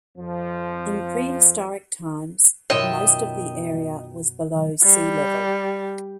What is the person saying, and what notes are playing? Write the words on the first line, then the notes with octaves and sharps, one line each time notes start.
In prehistoric times most of the area was below sea level.
F2 F3
F#2 B2 D#3 F4 C#5 D#5 E5 G5
G3